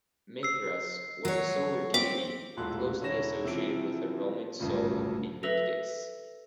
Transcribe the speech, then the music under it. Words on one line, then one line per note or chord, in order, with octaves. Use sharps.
Mithras was a solar deity, closely associated with the Roman Sol Invictus.
E6 C7
F#3 C#5
C4 D6 B6
E1 A#1 A2 A4 C6 F#6
E1 C#4 E4 C#5 A#6 E7
C3 E3 F3 D7
G#1 D2 G2 A#2 C#3 F3
A4 B4 E5 E6 A#6 F7